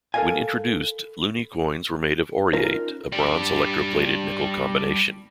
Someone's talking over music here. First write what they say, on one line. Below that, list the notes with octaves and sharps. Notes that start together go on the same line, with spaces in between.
When introduced, loonie coins were made of Aureate, a bronze-electroplated nickel combination.
A4 A#4 C5 D#5 F5 G#5
C#4 D#4 F4 A#4
G3 D4